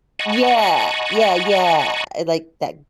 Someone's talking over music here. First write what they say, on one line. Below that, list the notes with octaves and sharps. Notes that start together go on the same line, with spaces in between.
Yeah. Yeah, yeah. E like that
D#5 F#5 G#5 A5 B5 C#6